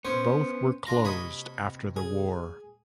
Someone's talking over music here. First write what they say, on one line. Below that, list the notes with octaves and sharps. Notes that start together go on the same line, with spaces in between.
Both were closed after the war.
B3 C#4 C5 C#5
D4 F4 A#5
C3 C#5 D#5 B5 D#6
G#4